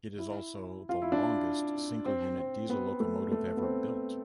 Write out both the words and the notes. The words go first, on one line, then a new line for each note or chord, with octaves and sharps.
It is also the longest single-unit diesel locomotive ever built.
E4
F4
E4
D4
C4
C4
B3
A3
A3
B3
C4